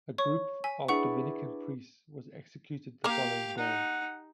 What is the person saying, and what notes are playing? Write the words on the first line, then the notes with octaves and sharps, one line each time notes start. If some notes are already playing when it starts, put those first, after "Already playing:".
A group of Dominican Priests was executed the following day.
C#5 C#6
G#5 B6
D4 E4 G#4 B4 F#5 C#6
A#3 G4 A#4 F5
D#4 F#5